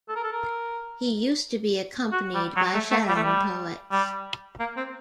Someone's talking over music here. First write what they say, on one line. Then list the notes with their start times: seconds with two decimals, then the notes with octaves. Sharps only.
He used to be accompanied by Charan poets.
0.09 A4
0.16 A#4
0.23 A4
0.32 A#4
2.12 F#4
2.35 G3
2.57 F#3
2.74 A3
2.91 A3
3.08 G3
3.16 A3
3.23 G3
3.92 G3
4.60 A#3
4.77 C4